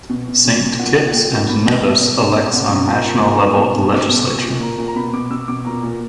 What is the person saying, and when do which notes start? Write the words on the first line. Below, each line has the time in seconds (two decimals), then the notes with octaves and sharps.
Saint Kitts and Nevis elects on national level a legislature.
0.10 B2
0.28 B2
0.45 B2
0.62 B2
0.79 A#2 F#5
0.97 A#2
1.07 F#5
1.14 A#2 G5
1.31 A#2
1.49 B2 B5
1.66 B2 G5
1.83 B2 E5
2.01 B2 D5
2.18 B2 C#5
2.35 B2 D5
2.53 B2 F#5
2.70 B2 A#5
2.88 A#2
3.06 A#2
3.22 A#2
3.40 A#2
3.57 B2 C#6
3.75 B2
3.92 B2 D6
4.09 B2
4.26 A#2 C#6
4.44 A#2
4.61 A#2 A#5
4.78 A#2
4.87 A#5
4.96 B2 B5
5.13 B2 D6
5.30 B2 E6
5.48 B2 D6
5.65 A#2 A#5
5.83 A#2